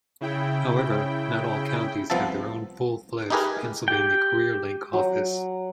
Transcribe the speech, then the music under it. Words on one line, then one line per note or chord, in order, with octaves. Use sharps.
However, not all counties have their own full-fledged Pennsylvania CareerLink office.
C#3 E4 G5
C2 F3 B3 E5 A5
D#4 E4 G4 G#4 A#4 B4
G4 G5
F#3 A#5